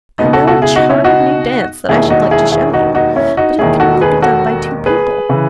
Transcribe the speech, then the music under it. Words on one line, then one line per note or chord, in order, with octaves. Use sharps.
'I know a charming new dance that I should like to show you; but it can only be done by two people.
C#2 B2 B3 D#4
F#4 A4
F#4 A4
E4 G#4
D#4 F#4
C#4 E4
D#4 F#4
E1 D#2 D#3 E4 G#4
D#4 F#4
E4 G#4
E4 G#4
D#4 F#4
D#4 F#4
C#4 E4
D#4 F#4
E1 D#2 D#3 E4 G#4
F#4 A4
G#4 B4
F#4 A4
G#4 B4
C#3 E3